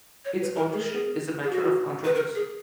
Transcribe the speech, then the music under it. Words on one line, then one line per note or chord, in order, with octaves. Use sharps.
Its authorship is a matter of controversy.
C#5
B4
A#4
G#4
A#4
G#4
G#4
F#4
B4
A#4
G#4